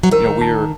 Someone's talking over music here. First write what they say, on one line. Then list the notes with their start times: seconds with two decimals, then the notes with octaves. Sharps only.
you know, we're
0.03 F#3
0.11 D#3 A#4
0.41 A5